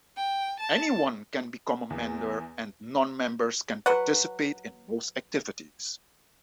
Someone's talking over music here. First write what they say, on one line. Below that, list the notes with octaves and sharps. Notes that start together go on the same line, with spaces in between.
Anyone can become a member and non-members can participate in most activities.
G5
A5
E2
F#3 B4 F#5